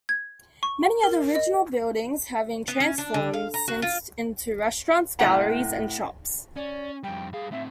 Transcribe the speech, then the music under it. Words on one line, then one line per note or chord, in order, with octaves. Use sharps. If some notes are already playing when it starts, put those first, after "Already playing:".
Many of the original buildings have been transformed since into restaurants, galleries and shops.
G#6
C#6
A#4
D#5
B3
C#4
D4
D3
F5
A#5
F#4
F4
A2 C3 A3 G4 F#5 A#5
C#4 D5
F2 G3 G5
G3 G#4 F5
A2 C4 E5